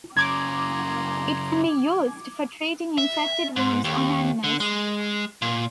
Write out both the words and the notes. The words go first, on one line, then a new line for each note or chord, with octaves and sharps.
It can be used for treating infected wounds on animals.
F#2 C#3 A#5 C6 D6 G#6
E5
G#2
D#2
D3
G#3
A#2